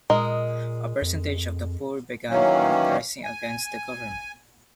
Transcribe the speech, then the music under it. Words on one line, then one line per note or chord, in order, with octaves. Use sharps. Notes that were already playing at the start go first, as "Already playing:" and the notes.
A percentage of the poor began an uprising against the government.
A#2 G#3 A#4 D#5
F2
D#3 E3 F#3 A#3 C#4
G#5